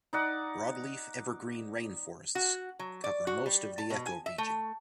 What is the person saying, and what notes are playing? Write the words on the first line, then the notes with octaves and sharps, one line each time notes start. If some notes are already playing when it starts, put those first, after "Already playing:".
Broadleaf evergreen rain forests cover most of the ecoregion.
D#4 D5 F#5
F#4
F#3
D5
F#4
G3
A5
B2
G#5
E5
A3